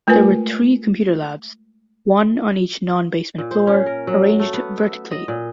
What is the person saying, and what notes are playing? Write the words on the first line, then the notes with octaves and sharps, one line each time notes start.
There were three computer labs: one on each non-basement floor, arranged vertically.
G#3 A3 F4 A#4 B4 G#5
A#2
C5
C#4
A#4
F#3
A3
B3
E5
D#5
A#2